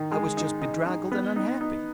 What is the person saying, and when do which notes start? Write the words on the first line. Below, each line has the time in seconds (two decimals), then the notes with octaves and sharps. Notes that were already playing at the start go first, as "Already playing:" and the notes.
I was just bedraggled and unhappy.
Already playing: D#3 D#4
0.12 G#3
0.37 D#4
0.62 D#4
0.86 D#4
1.12 B3
1.36 D#4
1.61 D#4